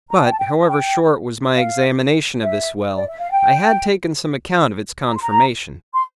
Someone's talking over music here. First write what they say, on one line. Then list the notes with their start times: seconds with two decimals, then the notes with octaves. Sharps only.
But, however short was my examination of this well, I had taken some account of its conformation.
0.09 A#5
0.17 A5
0.24 G5
0.31 A5
0.39 G5
0.61 A5
0.68 G5
1.56 F5
2.43 E5
2.96 D5
3.08 E5
3.19 F5
3.31 G5
5.07 A#5
5.15 C6
5.21 A#5
5.95 C6